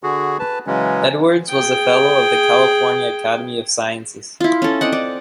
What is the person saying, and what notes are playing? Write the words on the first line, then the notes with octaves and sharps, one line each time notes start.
Edwards was a fellow of the California Academy of Sciences.
D3 F#4 G#4
B4 A5
C#3 E3 F#3 G#3 C#4
G#4 G5
E4 F4
C#4 A4
C4 D5 D#5 F#5
D5